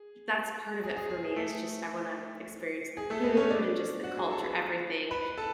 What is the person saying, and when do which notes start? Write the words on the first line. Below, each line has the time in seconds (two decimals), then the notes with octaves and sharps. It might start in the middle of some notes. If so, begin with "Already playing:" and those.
that's part of it for me, is just I wanna experience the food and, just, the culture everything,
Already playing: G#4
0.84 G#4
0.96 G#4
1.10 G#4
1.23 G#4
1.36 A3 A4
2.97 G#4
3.10 A3 A4
3.24 B3 B4
3.37 C#4 C#5
3.50 D4 D5
4.04 F#4 F#5
4.17 G#4 G#5
4.30 A4 A5
4.44 B4 B5
5.11 B4 B5
5.38 A4 A5